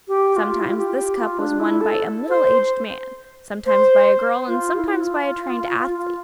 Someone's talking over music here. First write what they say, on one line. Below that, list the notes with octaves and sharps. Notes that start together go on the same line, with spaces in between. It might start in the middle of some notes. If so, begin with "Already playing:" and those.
Sometimes this cup was won by a middle-aged man, sometimes by a girl, and sometimes by a trained athlete.
G4
F4
E4
F4
G4
F4
D4
E4
A4
C5
C5
F4
E4
F4